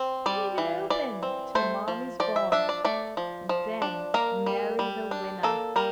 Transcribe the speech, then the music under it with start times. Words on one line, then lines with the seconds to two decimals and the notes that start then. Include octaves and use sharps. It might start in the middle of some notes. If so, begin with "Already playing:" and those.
Leave it open till Marmy's gone, and then marry the winnah?'
Already playing: C4
0.26 G3 D5
0.58 E3
0.90 E3 D5
1.23 C4
1.55 A3 C5
1.88 F3
2.20 F3 D5
2.36 E5
2.52 D4 E5
2.69 D5
2.85 A3 D5
3.17 F3
3.49 F3
3.82 D4
4.14 A#3 A#4
4.46 G3
4.79 G3
5.11 D4
5.43 A#3 A4
5.76 G3 A#4